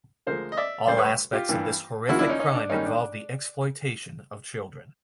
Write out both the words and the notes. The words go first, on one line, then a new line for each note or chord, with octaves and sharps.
All aspects of this horrific crime involve the exploitation of children.
D2 D3 F3 G#3 A#4 C5
D#5
D5 E5
D2 D3 G3 C5 D5
B4 C#5
F4 G4
G2 E3 G3 A#3
D#2 C#3 F3 A#3 E4 F#4
D4 E4
C#4 D#4
C#4 D#4
D4
G#2 D#3 G3 A#3 C#4 D#4
D4